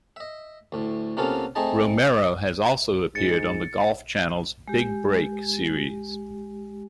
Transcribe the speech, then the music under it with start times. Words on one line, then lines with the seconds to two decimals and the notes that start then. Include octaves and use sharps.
Romero has also appeared on The Golf Channel's "Big Break" series.
0.16 D#5 E5
0.72 D2 A2
1.17 C3 A#3 B3 C#4 F4 A4
1.55 A3 C4 D#4 G#4 D#5 A5
3.15 G#2 A6 C#7
4.68 G#3 G4